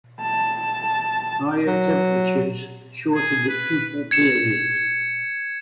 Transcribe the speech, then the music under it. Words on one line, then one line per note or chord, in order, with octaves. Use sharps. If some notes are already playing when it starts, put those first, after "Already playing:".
Higher temperatures shorten the pupal period.
A5
F#3
G#4
B4
G#6 C#7 E7